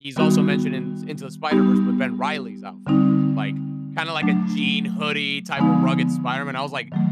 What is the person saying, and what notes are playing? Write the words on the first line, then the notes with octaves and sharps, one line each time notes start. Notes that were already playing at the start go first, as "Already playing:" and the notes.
he's also mentioned in s into the Spider-Verse, but Ben Reilly's outfit, which is, like, kinda like, a jean, hoodie type of rugged Spider-Man, I was like
D#3 G3 B3 D#4 F#4
G3 B3 D#4 G4
D3 G3 C4 D#4
F#3 A3 D4
D3 F3 G#3 B3 D#4
D#3 F#3 A3